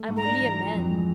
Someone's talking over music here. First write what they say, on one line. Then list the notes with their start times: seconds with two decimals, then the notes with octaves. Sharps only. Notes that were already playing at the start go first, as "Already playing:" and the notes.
I'm only a man.'
Already playing: A3
0.09 G#2
0.17 A#5
0.25 D4
0.42 E3
0.57 F3
0.75 F2
0.90 G#3